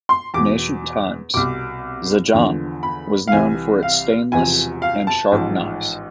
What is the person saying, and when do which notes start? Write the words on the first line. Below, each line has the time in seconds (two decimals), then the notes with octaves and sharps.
In ancient times, Zanjan was known for its stainless and sharp knives.
0.09 C6
0.34 E2 B2 D6
1.34 C2 B2 D6
2.33 E2 D3 F3
2.83 B5
3.28 F5
3.32 C2 C3 E3 G#5
3.83 F5
4.32 E1 E2 C3 F3 G#5
4.82 F5
5.07 A5
5.32 A1 G#2 F3